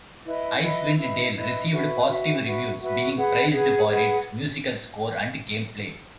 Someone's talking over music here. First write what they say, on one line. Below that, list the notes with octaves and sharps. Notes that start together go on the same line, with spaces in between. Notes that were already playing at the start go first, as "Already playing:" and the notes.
"Icewind Dale" received positive reviews, being praised for its musical score and gameplay.
E4 B4 D#5
E4 B4 D#5
E4 B4 D#5
E4 B4 D#5
F#4 B4 E5
F#4 B4 E5
F#4 B4 E5
F#4 B4 E5
G#4 B4 F#5
G#4 B4 F#5
G#4 B4 F#5